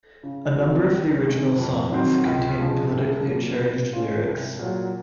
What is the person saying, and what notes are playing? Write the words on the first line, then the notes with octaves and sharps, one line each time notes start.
A number of the original songs contain politically charged lyrics.
C#3
F3 C4 D#4 F#4
C#2
C3 D#3 G#3
F2
D#3 F#3 C4 F#4
C#2
C#3 F3 G#3
C2
A#2 F#3 A#3
A#2
G#3 C#4 F4
C2
A#2 F#3